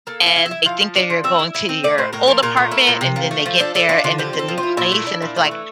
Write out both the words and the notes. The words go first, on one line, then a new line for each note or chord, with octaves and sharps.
and they think that you're going to your old apartment, and then they get there and it's a new place and it's, like,
A#3 A4
E4 F5
E4
E5
E4
F3 F5
F3
D4
F3
C4 E5
E4
E4
C4
A3 D5
A2 C5
A2 A#4
F3 A#4
A#2 A#4
A3
E4
A#2
C3
F3
A3
F3
D4 A4
D4 A4
D4 F4
D3 F4
F3 G4
C4
A4
F3
F4
E4
A#2 E4
A3
D4
A#2
A3
E3